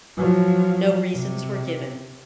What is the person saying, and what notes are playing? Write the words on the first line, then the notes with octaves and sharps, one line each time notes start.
No reasons were given.
F3 F#3
C3